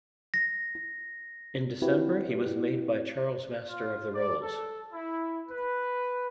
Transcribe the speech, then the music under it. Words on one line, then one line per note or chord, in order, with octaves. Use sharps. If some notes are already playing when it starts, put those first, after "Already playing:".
In December he was made by Charles Master of the Rolls.
A#6
C4 E4 F#4 G4 B4
F4
D5
A4
E4
B4